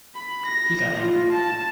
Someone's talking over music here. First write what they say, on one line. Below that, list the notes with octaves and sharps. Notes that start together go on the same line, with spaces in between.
He got angry.
B5
A#6
F4
A5